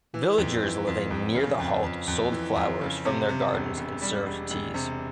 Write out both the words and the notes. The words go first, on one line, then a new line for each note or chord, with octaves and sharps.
Villagers living near the halt sold flowers from their gardens and served teas.
E3
F2
E3
F2
F2
C#3
F2
F2
F2
E3
F2
C#3
C3
C3
E1
E1
G3
E1
E1
C3